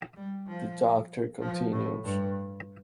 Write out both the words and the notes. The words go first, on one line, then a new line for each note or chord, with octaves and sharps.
The Dr. continues.
G3
F3
F3
A2
G2